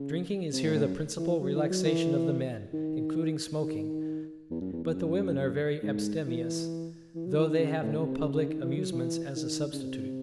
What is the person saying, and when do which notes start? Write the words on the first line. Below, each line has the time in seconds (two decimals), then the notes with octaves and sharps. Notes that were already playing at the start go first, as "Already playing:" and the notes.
Drinking is here the principal relaxation of the men, including smoking, but the women are very abstemious, though they have no public amusements as a substitute.
Already playing: C#3
0.53 C3
0.64 A2
0.74 A2
0.86 F#2
1.19 E3
1.41 F#3
1.55 E3
1.70 F#3
1.85 E3
2.73 D#3
3.62 D#3
4.50 E2
4.61 F#2
4.73 E2
4.84 E2
4.94 F#2
5.83 G#2
6.27 E3
7.15 E3
7.26 F#3
7.37 E3
7.49 D#3
7.60 C#3
7.82 A2
7.99 C#3
8.04 C3
8.19 C#3
8.33 C#3
8.48 D#3
8.62 E3
8.77 F#3
8.92 E3
9.36 D#3
9.73 C#3
9.81 C3